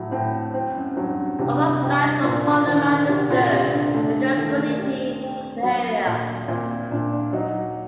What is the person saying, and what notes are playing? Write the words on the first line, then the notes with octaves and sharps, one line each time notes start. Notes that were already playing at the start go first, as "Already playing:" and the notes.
Overflights from Holloman disturbed the tranquility of the area.
Already playing: A2 F#3
A2 C4
C4
F#2
G2 F#3
G2 C3
G2 C4
A#2 D4
D3
D#3 C5
D3
C3 F#4
A#2
C3 D4
D3
D3 A3
D#3 A3
A#3
G4
C4
F#3
A#2
A#2 C4
A#2 D4
F#3 D#4